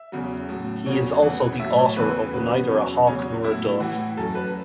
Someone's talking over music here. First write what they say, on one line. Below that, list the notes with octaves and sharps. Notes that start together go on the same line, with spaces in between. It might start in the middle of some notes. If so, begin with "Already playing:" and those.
He is also the author of 'Neither a Hawk Nor a Dove.
Already playing: E5
E2 C#3 F#3
A2 F#3
E2 C#3 F#3 C#5
E2 E3 F#5
A2 F#3 E5
C#5
E2 C#3 E3 B4
F#2 C#3 F#3 B4
B3
E2 B2 F#3 C#4
E2 C#3 F#3 C#4
A2 F#3 E4
A2 E3 F#4
F#2 F#3 A4
B4